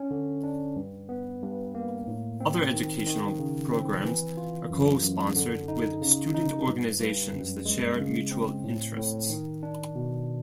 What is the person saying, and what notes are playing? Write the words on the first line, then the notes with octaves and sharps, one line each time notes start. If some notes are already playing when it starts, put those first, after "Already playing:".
Other educational programs are co-sponsored with student organizations that share mutual interests.
Already playing: C#4
D3
D4
G2
B3
G2
A#3
A2
C4
D#3
D#3
C#3
C4
E3
F4
F#2
F#2
D3
D#4
C#3
D#4
G2
G2
F#2
G#3
C#3
C4
A2
A2
D#3
D4
B2